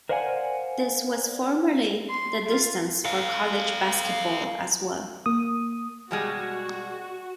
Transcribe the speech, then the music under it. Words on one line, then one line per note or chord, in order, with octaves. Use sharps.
This was formerly the distance for college basketball as well.
A#4 C5 D5 F5 F#5 G#5
C6
F4
A4 F5
A#3 D#6
B2 G3 G#3 F#4